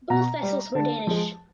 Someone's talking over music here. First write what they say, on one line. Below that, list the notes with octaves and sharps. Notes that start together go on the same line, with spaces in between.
Both vessels were Danish.
B2 A#5
G3
D3 A5
F3 G#3